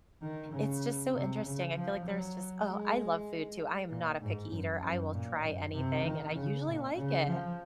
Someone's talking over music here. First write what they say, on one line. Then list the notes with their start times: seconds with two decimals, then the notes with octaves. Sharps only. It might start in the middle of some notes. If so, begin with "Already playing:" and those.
it's just so interesting. I feel like there's just Oh, I love food too. I am not a picky eater, I will try anything, and I usually like it.
0.22 D#3
0.52 C#3
1.13 C3
1.45 C#3
1.75 F3
2.05 F#3
2.67 G#3
3.90 A#2
4.21 G#2
4.51 F#2
4.81 F#2
5.13 A#2
5.43 F#2
5.74 C3
6.04 D#3
6.35 C#3
6.66 A#2
6.97 C#3
7.28 F3